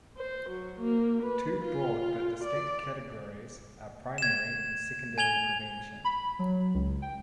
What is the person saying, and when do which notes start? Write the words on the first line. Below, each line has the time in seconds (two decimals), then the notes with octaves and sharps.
Two broad but distinct categories are primary and secondary prevention.
0.17 C5
0.49 F#3
0.79 A#3
1.22 B4
1.64 F4
2.43 D5
4.18 G#6 E7
5.18 G#5 G#6 F7 G7
6.05 B5
6.39 F#3
6.74 C#2
7.02 G5